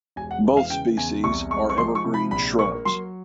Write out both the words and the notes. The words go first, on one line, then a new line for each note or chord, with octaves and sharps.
Both species are evergreen shrubs.
E1 G#5
F#5
E3
F5
C#3 G5
E2 G#5
C2 C#6
G#3 C#6
C#6
F3 C6
C#6
C3
B5
A#1 B5
A#3 C#6
F#3 C6